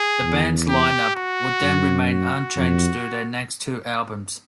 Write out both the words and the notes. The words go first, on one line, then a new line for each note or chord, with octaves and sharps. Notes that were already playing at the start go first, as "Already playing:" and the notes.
The band's lineup would then remain unchanged through their next two albums.
Already playing: G#4
E2
G4
F#4
F#2
F#4
F2